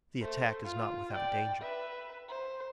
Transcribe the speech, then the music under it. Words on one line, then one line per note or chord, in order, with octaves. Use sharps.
The attack is not without danger.
A3 C5
F4
D5 G5
B4 E5
C5